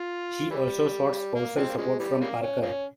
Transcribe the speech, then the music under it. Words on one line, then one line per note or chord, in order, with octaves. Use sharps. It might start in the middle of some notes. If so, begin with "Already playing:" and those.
She also sought spousal support from Parker.
Already playing: F4
E3 G3
A#3
F3 G#3 C4
A#3
C#3 F3 G#3
E3 G3
C#3 G3 A#3
C#4
F3 A#3 C#4